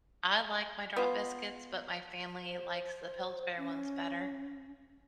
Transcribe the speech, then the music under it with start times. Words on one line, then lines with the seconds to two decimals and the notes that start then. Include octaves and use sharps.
I like my drop biscuits, but my family likes the Pillsbury ones better.
0.96 B3 F4
2.43 C5
3.58 C#4